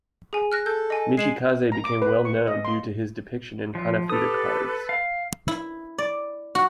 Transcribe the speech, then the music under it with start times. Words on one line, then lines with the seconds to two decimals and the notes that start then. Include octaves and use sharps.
Michikaze became well known due to his depiction in Hanafuda cards.
0.33 G#4 G#5
0.52 F6 F#6 A#6
0.66 A4 G6
0.90 D#5 G#5
1.17 G#3 C7 E7 F#7
1.72 A#5
1.84 D6
2.02 B4
2.25 C#6
2.48 D#5
2.65 C6
3.75 F3
4.10 G4 A4 B4 D#6
4.89 F5
5.48 E4
5.98 D5
6.55 F#4